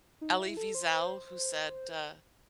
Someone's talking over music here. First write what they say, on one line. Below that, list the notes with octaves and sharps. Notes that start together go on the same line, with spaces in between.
Elie Wiesel who said, uh,
D#4
E4
A4
C5
C5